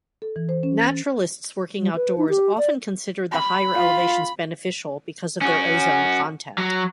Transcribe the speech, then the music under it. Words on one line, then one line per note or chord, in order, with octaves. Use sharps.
Naturalists working outdoors often considered the higher elevations beneficial because of their ozone content.
A4
E3
C5
C#4
A6
G3
B4
D#4
G4
D5
B5
F4
C#4 F#4
F#3